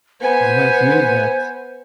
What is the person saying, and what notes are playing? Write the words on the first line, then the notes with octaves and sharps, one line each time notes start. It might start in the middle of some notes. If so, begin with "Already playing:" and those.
You might use that.
B3 C5 G#5